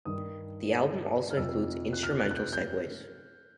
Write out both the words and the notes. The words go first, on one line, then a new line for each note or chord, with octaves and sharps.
The album also includes instrumental segues.
G2 D#3 D#6
F6
F2 C3 F3 E6
F#6
F6
F#6
F#6
G6
G6